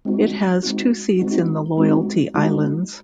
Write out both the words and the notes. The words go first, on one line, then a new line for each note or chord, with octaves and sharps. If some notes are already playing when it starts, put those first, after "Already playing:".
It has two seats in the Loyalty Islands.
G#3 C4 D#4 F#4
G#3 C4 D#4 F#4
G#3 C4 D#4 F#4
G#3 C4 D#4 F#4
G#3 D#4 F#4